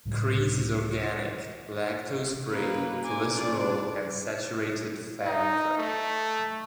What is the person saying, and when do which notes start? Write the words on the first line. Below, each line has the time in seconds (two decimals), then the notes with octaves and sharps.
Chreese is organic, lactose-free, cholesterol and saturated fat-free.
0.05 C#2 A2 G3
2.49 C#3 A#3 B4
3.04 G#5 D6
3.34 F#1 D4 D5
3.69 D6
5.27 D#4
5.78 A3